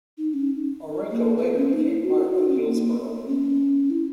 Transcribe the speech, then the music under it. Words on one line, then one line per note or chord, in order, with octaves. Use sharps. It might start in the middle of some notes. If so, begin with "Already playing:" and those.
Orenco later became part of Hillsboro.
D#4
C#4
A#3
A#3
B3
C#4
D#4
E4
F#4
D#4
C#4
B3
A#3
B3
B3
C#4
E4